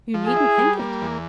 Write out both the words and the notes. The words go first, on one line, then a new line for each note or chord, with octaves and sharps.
You needn't think it.
F3
G#4
E4
G3
A#3
E2